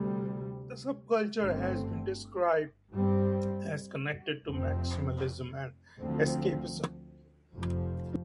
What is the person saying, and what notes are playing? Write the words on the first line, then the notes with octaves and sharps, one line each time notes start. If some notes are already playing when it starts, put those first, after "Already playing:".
The subculture has been described as connected to maximalism and escapism.
Already playing: D2 C3 G3
G1 G2 D3 A3 C4
G2 G3 C4
F1 F2 F3 C4
D2 D3 F3 C4
F1 F2 F3